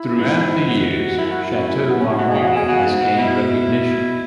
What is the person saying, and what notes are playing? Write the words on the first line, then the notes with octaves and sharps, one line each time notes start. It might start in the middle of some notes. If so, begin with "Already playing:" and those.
Throughout the years, Chateau Marmont has gained recognition.
Already playing: E4
G#2
F#4
F#2 E4
F#4
E4
C#4
E4
B3
C#4
E4
G#2 F#4
C#3 G#4
F#4
B2 G#4
C#3 F#4
G#2
B2
B2 E4